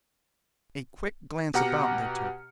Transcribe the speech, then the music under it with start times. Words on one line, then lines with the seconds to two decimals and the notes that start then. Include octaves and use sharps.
A quick glance about they took.
1.54 B2 G4 F#5 A#5 F6 C#7